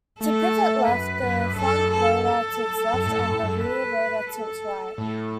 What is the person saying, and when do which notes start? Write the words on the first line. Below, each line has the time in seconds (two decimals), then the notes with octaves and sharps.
To pivot left, the front rotor tilts left and the rear rotor tilts right.
0.20 A3 A4
0.88 F#2 B4
1.23 F#2
1.56 F#2 A4
1.91 A4
2.25 A4
2.94 F#2
3.06 A2
3.18 F#2
3.31 A2
3.43 F#2
3.62 B4
4.30 A4
4.98 A2 A4